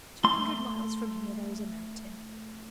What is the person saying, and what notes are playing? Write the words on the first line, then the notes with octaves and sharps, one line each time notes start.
Two hundred miles from here there is a mountain.
A3 C6